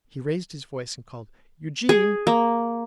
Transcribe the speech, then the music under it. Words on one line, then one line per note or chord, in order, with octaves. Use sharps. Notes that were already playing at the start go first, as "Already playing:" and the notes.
He raised his voice and called 'Eugene!
G#4
A#3